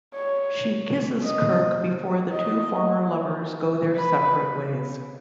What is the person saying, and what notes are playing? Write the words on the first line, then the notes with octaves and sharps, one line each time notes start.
She kisses Kirk before the two former lovers go their separate ways.
C#5
D#5
D#5
B4